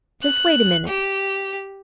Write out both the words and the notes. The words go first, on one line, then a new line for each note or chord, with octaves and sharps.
"Just wait a minute."
F#6
G4